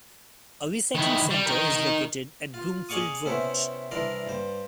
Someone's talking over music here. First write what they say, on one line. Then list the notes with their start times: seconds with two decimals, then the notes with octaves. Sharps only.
A recycling centre is located at Broomfield Road.
0.95 D#3 E4
1.30 G3
1.45 D#4 A#4
2.54 F4
2.89 G#4 D5 F5 C#6 D#6
3.25 C3 B3 C#4 E4 C5
3.91 C2 E3 D4 A#4 C6
4.27 G2 C5